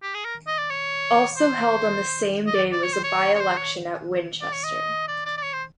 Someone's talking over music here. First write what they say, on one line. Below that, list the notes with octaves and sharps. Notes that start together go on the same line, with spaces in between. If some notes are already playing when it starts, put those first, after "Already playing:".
Also held on the same day was a by-election at Winchester.
G4
G#4
A#4
D#5
D5
C#5
C5
D#5
D5
D5
C#5
C5
C#5
C#5
C5
C#5
D5
C#5
D#5
D5
D5
D5
C#5
C5